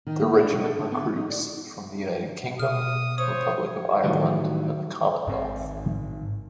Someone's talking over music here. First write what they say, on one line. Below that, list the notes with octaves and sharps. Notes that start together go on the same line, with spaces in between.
The Regiment recruits from the United Kingdom, Republic of Ireland and the Commonwealth.
D#3
A#3
D4
G3
A4
D3
B3
D#4
D5
B2 D#6 F6
C5 C#5 D#6
A2 D#3 E3 F#3 G3
G#2 C4